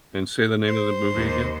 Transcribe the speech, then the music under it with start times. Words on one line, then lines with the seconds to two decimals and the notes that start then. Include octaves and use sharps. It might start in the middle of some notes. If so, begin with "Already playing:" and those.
And say the name of the movie again.
0.68 C5
1.13 D#2